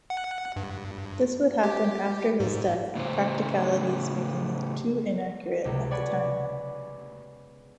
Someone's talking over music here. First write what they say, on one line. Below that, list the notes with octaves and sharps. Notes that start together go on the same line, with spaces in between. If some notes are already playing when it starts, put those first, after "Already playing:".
This would happen after his death, practicalities making it too inaccurate at the time.
F#5
G2
G4
G#2
A2 C#3 C5
C#2 C3 B3
C#5 D5 F#5 G#5 B5